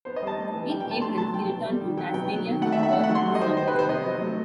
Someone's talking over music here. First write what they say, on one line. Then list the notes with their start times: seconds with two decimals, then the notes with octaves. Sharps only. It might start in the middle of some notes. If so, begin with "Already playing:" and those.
In April he returned to Tasmania for the birth of his son.
0.05 B3 C5
0.16 D#5
0.22 G3
0.27 A5
0.38 A3
0.53 E3
0.69 G3 G5
0.80 G5
0.85 B2
0.91 A5
1.01 A3 C6
1.17 F#3 A5
1.34 F#3 G5
1.49 B2
1.66 G3
1.81 D#3
1.97 F#3 G5
2.13 B2 G5
2.29 F#3
2.45 D#3
2.61 A3 F#5
2.72 E5
2.77 D#3
2.83 E5
2.93 A3 F#5
3.04 F#5
3.09 F#3
3.15 C6
3.26 G3
3.35 D#5
3.41 D#3 C5
3.57 D#3 C5
3.68 B4
3.74 C3
3.79 C5
3.89 B3 D#5
4.06 F#3
4.21 A3